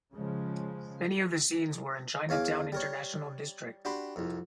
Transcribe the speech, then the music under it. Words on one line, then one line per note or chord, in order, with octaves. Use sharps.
Many of the scenes were in Chinatown–International District.
C#3 F3 G#3
E2 C#5 F5 G#5 D6
G3 A#4 C#5
D4 F#4 G4 G5 B5 C6
C2 F2